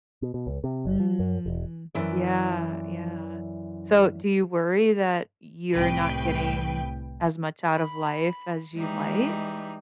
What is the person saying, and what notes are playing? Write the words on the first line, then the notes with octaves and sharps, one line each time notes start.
Mm. Yeah, yeah. So, do you worry that you're not getting as much out of life as you'd like?
B2
B2
C#2
C3
F#1
F3
F#2
E1
F#2 E3 D5
C2 A2 B4 G5
B5
E3 G3 G#3 D#4